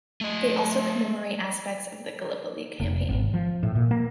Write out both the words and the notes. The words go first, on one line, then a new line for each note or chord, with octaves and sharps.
They also commemorate aspects of the Gallipoli Campaign.
A3 D#5
F1
G#1
F3
A2
A#2
A#3